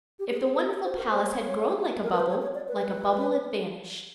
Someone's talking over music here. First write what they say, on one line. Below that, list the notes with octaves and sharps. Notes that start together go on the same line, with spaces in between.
If the wonderful palace had grown like a bubble, like a bubble it vanished.
G4
G#4
G#4
A#4
C5
A#4
C5
C#5
A#4
B4
C5
C#5
C#5
D5
B4
B4